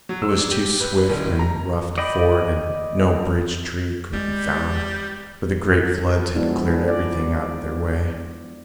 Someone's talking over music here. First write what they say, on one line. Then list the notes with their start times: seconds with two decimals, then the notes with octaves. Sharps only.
It was too swift and rough to ford, and no bridge tree could be found, for the great floods had cleared everything out of their way.
0.09 F#3
0.22 E6
0.36 D4
0.51 G4
0.80 B4
0.97 B4
1.10 D1
1.24 A2
1.39 A#5
1.98 D5 D#5 G5 B5
4.13 G3 G#3
6.35 F3 F#3 G#3 B3 D4 E4
6.88 D5